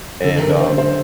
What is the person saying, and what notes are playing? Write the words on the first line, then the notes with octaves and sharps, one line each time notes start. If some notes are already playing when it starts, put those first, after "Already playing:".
And, um,
D3 A4
A#4
D3
C5
D3
C5